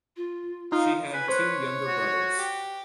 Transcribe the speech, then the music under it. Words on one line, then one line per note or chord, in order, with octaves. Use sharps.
She had two younger brothers.
F4
D#4 F4 F5
B4 G#5
C5 C#5 F#6 G#6
F#4
G4